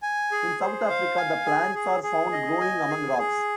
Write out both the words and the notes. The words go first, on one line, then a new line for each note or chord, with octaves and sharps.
In South Africa the plants are found growing among rocks.
G#5
G#4
C5
F5
G#5
G#4
G#4
G#4
D#5
G#5
G#4
G#4